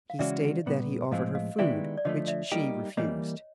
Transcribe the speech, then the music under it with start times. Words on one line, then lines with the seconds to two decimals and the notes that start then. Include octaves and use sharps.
He stated that he offered her food, which she refused.
0.10 F5
0.19 C#3 E3 G#3 C#4 F#4 D5 E5
0.66 A#2 G3 B3
1.12 A2 F3 G#3 C4 D#5 F5
1.35 D#5 F5
1.59 D#3 G#3 B3 E4 G4 D5 E5
1.98 D5
2.05 D3 F3 A3 C#5 D#5
2.27 D5 E5
2.52 G3 A#3 D#4 G4
2.97 E3 G3 A#3 C#5 D#5